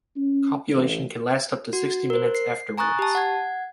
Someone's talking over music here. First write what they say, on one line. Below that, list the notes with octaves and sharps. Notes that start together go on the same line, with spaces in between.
Copulation can last up to sixty minutes afterwards.
C#4
A1
F#4
A#4 C5
C7
G#5 A#5 C#6 D#6 F#6 A6
G4 A5
F#5 G#6